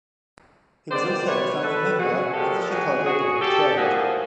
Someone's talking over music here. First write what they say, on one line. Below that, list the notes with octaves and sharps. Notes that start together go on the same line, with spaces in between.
He was also a founding member of the Chicago Board of Trade.
D#3 G#3 B3 C5 D5
B4 C#5
A4 B4
F#4 G#4
A#2 F3 G#3 G4 A4
F#4 G#4
F#4 G#4
G4 A4
A2 F3 A#3 F#4 G#4